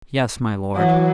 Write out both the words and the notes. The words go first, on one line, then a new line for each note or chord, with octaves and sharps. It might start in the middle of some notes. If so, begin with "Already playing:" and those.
"Yes, my lord."
E3 F#3